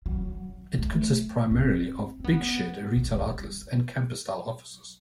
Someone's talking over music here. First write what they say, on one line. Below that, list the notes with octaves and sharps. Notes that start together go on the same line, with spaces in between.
It consists primarily of 'big shed' retail outlets and campus style offices.
F#3
A3
C4
C4
B3
B3
G3